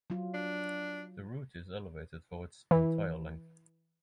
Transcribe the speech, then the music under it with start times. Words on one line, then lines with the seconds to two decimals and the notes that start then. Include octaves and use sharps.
The route is elevated for its entire length.
0.10 F#3 F4
0.34 D4
2.71 E3